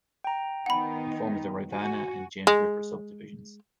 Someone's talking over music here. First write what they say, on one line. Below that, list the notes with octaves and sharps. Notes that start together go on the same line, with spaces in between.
It forms the Rivanna and James River subdivisions.
G5 A#5
D#3 B3 D#4 F#5 B5
F#4 G#5
G#3